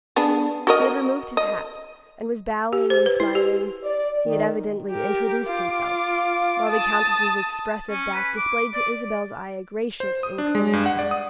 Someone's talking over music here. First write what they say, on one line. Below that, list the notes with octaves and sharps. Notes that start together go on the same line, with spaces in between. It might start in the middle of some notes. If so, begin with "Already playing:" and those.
He had removed his hat and was bowing and smiling; he had evidently introduced himself, while the Countess's expressive back displayed to Isabel's eye a gracious inclination.
B3 D4 G#4
F#4 A#4 D#5
D#5
G4
C5
B4
E4
G4
D5
D#3
G4 A#4
F4 D6
A5 D#6
C#4
B4
D6
D5
C5
D#6
D4
G#3
G2
F#5
D5
D#6